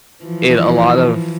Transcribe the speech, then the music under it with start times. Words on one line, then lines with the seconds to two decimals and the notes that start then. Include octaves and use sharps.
it a lot of
0.24 E3 F3